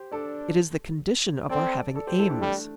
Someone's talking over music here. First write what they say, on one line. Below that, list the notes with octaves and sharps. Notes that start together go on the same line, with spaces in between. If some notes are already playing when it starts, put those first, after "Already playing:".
It is the condition of our having aims.
Already playing: G4 C5
D4 A4 D5
C4 A4 D5
A4 D5
G4 C5
E4 A4
D4 G4
G3 A3 D4